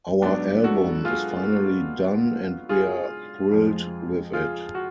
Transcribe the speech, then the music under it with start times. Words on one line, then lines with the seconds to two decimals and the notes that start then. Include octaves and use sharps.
Our album is finally done and we're thrilled with it.
0.22 G#2 F#3 B3 D4
0.64 F#4 A4
1.05 F4 G#4
2.69 F4 G#4
3.51 F2 F3 G#3
4.33 F4 G#4
4.75 F#4